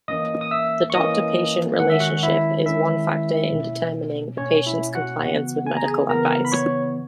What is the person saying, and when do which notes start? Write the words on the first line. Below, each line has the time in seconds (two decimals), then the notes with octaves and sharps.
The doctor-patient relationship is one factor in determining the patient's compliance with medical advice.
0.08 E3 A#3 C#4 D#5 D#6
0.41 D#6
0.51 E5 E6
0.90 C#6
0.94 E3 A#3 C#4 D#5 D#6
1.80 D#3 G#3 C#4 F#5
1.90 E5
2.00 F#4 F#5
2.23 E4 E5
2.66 D#3 G#3 C#4 E4 E5
3.51 B2 A#3 C#4
4.38 B2 A#3 C#4 C#5
4.67 E4 E5
4.95 F#4 F#5
5.23 C#3 E3 B3 F#4 F#5
5.66 G#5
5.77 A#5
5.86 G#4 G#5
6.09 C#3 E3 B3 A#4 A#5
6.45 B5
6.52 C#5 C#6